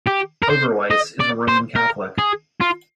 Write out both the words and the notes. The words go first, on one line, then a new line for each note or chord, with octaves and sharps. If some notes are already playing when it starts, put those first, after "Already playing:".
Oberweis is a Roman Catholic.
G4
A#4
C5
D#5
D5
C5
A#4
G#4
F4